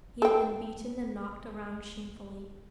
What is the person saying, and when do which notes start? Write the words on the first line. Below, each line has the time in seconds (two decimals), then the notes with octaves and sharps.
He had been beaten and knocked around shamefully.
0.22 A4 G5